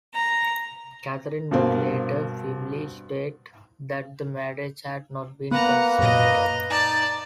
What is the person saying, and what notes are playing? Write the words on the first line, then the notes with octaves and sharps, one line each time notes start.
Catherine would later firmly state that the marriage had not been consummated.
A#5
G2 B2 A#3 C4
A#3 B3 B4 F#5 A#5
F#2 A#2 D#5 A#5
D#4 D5 A5